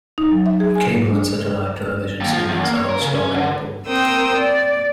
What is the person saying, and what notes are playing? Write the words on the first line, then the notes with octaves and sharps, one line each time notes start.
Cable and satellite television signals are also available.
D#4
F#3
E5
G#4
G#5
D4
D#2
F3
E2
A#3
C#5
A#4
C#3
C#4
D3
C4 A#4 G5 D#6 E6
D5